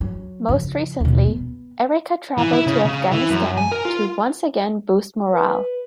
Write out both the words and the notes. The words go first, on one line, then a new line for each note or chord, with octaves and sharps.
Most recently, Ericka traveled to Afghanistan to once again boost morale.
F#3
F2 C#3
D#2 B2
B3
E3
E4
C#3
C#3
E3
F#2
G#5
A#4
F4
B4